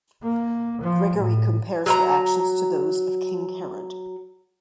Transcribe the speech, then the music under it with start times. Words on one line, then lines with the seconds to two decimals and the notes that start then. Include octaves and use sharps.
Gregory compares her actions to those of King Herod.
0.22 A#3
0.82 F3
1.18 A2
1.86 F#3 F5 A#5